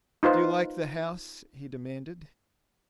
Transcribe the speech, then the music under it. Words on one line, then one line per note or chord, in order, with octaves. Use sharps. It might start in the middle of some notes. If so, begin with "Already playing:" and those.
"Do you like the house?" he demanded.
D#4 F4 B4 C5